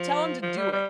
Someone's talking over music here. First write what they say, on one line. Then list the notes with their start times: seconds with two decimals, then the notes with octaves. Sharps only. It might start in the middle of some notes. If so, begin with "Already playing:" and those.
"Tell them to do it."
Already playing: F3
0.42 F3
0.58 G3
0.72 G3